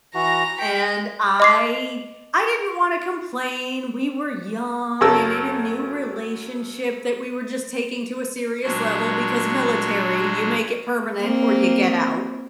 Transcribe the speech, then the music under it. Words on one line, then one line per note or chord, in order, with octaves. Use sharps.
And I I didn't wanna complain, we were young and in a new relationship that we were just taking to a serious level because military, you make it permanent or you get out.
E3 F#4 A#5 A#6
G5 B6 D7
D#5 D6 C7
F#2 C#3 A4 A#4 E6
A#2 F#3 G#3 D4 F#4
A#3 C4